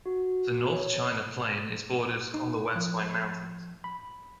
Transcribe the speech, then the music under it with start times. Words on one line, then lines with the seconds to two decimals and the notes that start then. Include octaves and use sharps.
The North China Plain is bordered on the west by mountains.
0.06 F#4
0.73 C#5
2.34 D#4
2.75 F3
3.84 B5